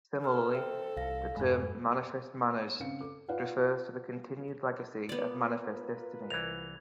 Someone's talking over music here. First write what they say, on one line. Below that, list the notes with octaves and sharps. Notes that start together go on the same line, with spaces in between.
Similarly, the term, "manifest manners," refers to the continued legacy of Manifest Destiny.
A4 E6 F6
C5 E5 G5
C2 F5 A#6
F2 G#2 G#3 B5 F#6
C#3 C4 C#4 F5 C#7
A4 D6
F4 B4 D5 F5 F#5
B3 F4 A#4 B4 D5
C2 E3 F7